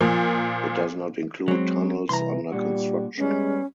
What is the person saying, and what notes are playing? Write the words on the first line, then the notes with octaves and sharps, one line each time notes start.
It does not include tunnels under construction.
A#2 F3 A#3
F#3 G#3 C4
C2 E3 A#5 C6
A#2 G3 D4 F#4
G3 G#3 B3 C#4